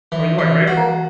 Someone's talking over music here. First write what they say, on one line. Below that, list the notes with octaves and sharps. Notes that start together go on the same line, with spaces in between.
Oh, you like baseball?
E3
E3
F#4